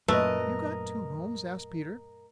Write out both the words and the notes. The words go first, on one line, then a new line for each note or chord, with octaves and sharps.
"Have you got two homes?" asked Peter.
F#2 A#2 A3 A#4 B4 D#5